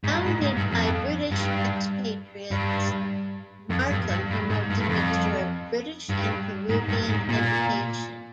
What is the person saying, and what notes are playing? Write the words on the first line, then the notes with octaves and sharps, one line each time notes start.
Founded by British expatriates, Markham promotes a mixture of British and Peruvian education.
G#2
G2
G#2
G#2
G2
F2
G2
G2
F2
G2
G2
G2
G#2
G2
G2
F2
G2
G#2
G2
G#2
A#2